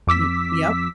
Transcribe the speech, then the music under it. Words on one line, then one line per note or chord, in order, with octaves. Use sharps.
Y yep.
F2 D6 E6 B6